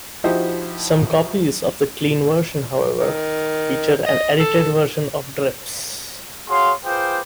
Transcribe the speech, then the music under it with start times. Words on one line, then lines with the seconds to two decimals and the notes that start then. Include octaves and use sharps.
Some copies of the clean version, however, feature an edited version of Drips.
0.24 F3 D#4 E4 F#4 G4 C5
3.00 D#3
4.06 D#5
4.40 A4
6.49 F#4 G#4 C#5 F5 C6
6.85 F4 G#4 B4 C5 G5 D6